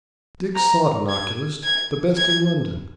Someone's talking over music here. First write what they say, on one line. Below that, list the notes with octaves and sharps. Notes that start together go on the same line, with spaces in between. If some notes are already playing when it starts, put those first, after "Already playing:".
Dick sought an oculist,--the best in London.
A#5
G#6
G#6
G#6